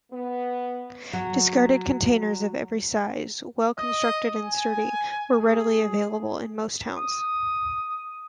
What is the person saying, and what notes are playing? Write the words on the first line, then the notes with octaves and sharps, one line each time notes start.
Discarded containers of every size, well-constructed and sturdy, were readily available in most towns.
B3
F#3
D#5
G#5
G#4
D#6